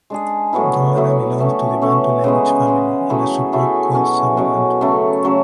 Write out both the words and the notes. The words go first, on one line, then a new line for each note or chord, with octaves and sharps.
Douala belongs to the Bantu language family, in a subgroup called Sawabantu.
G#3 D4 G#4
A2 F#3 B3 E4
A2 F#3 B3 E4
E3 A3 C#4
E3 A3 C#4
C#3 G#3 B3
C#3 G#3 B3
F#3 A3 E4 G#4
F#3 A3 E4 G#4
B2 F#3 C#4
B2 F#3 C#4
C#3 F#3 A3
C#3 F#3 A3